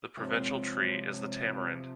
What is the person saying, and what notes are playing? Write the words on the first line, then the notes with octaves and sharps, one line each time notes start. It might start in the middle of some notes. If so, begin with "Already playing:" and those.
The provincial tree is the tamarind.
C3 F3 G#3 C4 C#5